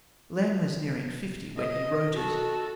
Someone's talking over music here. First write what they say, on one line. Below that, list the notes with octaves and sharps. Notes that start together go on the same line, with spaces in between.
Lamb was nearing fifty when he wrote it.
D#5
F#4 A4